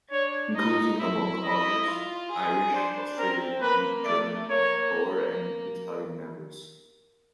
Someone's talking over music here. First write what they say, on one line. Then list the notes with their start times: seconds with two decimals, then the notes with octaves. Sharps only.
Including among others Irish, Australian, Greek, German, Boer and Italian members.
0.11 D4 C#5
0.55 D#4 D#5
0.99 E4 E5
1.42 D#5
1.87 F4
2.31 G#4
2.74 D4 C5
3.18 C4 A#4
3.61 A#3 B4
4.05 A3 D5
4.49 A#3 C#5